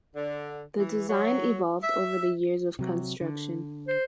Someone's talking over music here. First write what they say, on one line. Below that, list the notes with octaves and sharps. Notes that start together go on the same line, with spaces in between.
The design evolved over the years of construction.
D3
E3
F#3
E5
C3 F#3
D3
C5